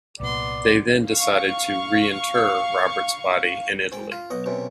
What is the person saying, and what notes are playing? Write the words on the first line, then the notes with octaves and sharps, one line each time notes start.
They then decided to re-inter Robert's body in Italy.
C2 A#2 B3 D5 C6
F5 C#6
G#2 G5
F4
B1 D#5 F#5
B1 F#2 C3